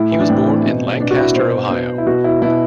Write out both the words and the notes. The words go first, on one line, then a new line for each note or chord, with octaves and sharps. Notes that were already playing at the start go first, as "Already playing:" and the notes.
He was born in Lancaster, Ohio.
Already playing: A2 E4
E3
D4
A2 C4
E3
B2
B2 D4
F#4
E4
B2 C5
B2
E4
B2 F#4
E4
B2 E4